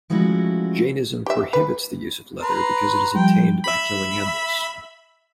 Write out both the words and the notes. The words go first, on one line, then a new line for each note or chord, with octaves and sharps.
Jainism prohibits the use of leather because it is obtained by killing animals.
F3 G#3 A3 C#4 E4 F#4
G4 E5
B4
B4 A#5 C6
F3 G3 G5
E5 B5